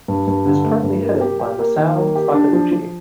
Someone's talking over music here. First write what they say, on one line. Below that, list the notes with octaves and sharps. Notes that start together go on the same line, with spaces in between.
It is currently headed by Masao Sakauchi.
G2
G2
D3
A3
G2
A#3
G4
G4
A#3
D#3
A#3
G4
D4
F3
F3